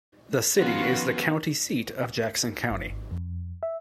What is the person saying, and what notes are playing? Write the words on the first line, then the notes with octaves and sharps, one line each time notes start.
The city is the county seat of Jackson County.
D#3 F3 B3 C#4 F4 F#4
G1
G#1
F2
E5